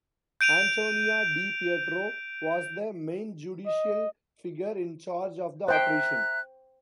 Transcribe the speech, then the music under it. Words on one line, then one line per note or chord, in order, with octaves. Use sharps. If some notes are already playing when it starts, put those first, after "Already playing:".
Antonio Di Pietro was the main judicial figure in charge of the operation.
G6 D7 D#7 F7
D#5
C5 E5 G5 A#5 F#6